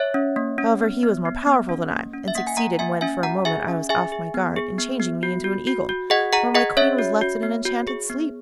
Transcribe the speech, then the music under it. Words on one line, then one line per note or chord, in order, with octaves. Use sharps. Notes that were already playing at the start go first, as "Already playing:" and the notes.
However, he was more powerful than I, and succeeded, when for a moment I was off my guard, in changing me into an Eagle, while my Queen was left in an enchanted sleep.
Already playing: C#5 E5
C#4
A#3
C#4
B3
B3
B3
B3
C#4
A#3
C#4
E5
A#3 F#5
G#5
A#3 F#5 A#5
A#3 E5 G#5
C#4 E5 G#5
F#4 F#5 A#5
G#4 E5 G#5
C#4
G#4 E5 G#5
G#4
B3
G#4
B3
B3
F#4
F#4
F#4
F#4
G#4 D#5 F#5
G#4 F#5 A#5
G#4 D#5 F#5
C#4 C#5 E5
F#4
F#4
B3
F#4
G#4
B3